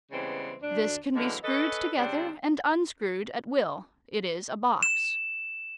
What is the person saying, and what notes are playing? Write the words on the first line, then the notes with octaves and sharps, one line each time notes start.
This can be screwed together and unscrewed at will; it is a box.
C#3 E3 G3 G#3 B3 C4
D2 D4
D3 E3 F#3 G#3 A#3
C#4 A4 B4 D#5
C#3 G3 C4 D4
E7